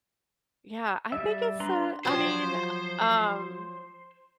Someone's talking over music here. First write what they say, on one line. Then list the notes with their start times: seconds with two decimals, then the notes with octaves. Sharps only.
Yeah, I think it's, uh I mean, um,
1.12 G3 E5
1.60 D4 B4 A#5 C6
2.05 F3 F#3 C5